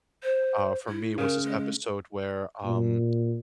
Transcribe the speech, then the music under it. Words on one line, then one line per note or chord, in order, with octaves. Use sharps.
uh, for me was this episode where, um,
C5
E4
C#3 A#4
G#3
A#2